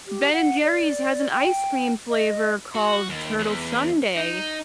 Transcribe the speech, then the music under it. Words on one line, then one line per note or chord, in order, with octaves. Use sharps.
Ben& Jerry's has an ice cream flavor called Turtle Sundae.
G4
F#5
D5
G5
D#5
F#4
D#2
E2
D#4